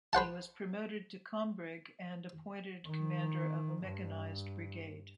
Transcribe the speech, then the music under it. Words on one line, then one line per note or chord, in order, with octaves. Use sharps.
He was promoted to kombrig and appointed commander of a mechanized brigade.
B4 C5 F#5 A5
D#3
G2